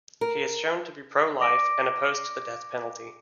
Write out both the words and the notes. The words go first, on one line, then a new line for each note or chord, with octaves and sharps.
He is shown to be pro-life and opposed to the death penalty.
A#4
D5 D6 A#6 D7